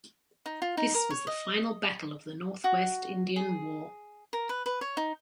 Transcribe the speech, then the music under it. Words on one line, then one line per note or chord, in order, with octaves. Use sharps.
This was the final battle of the Northwest Indian War.
D#4
F4
D#4
A#4
C#5
D#5
F#4
G#4
A#4
B4
B4
C#5
D#4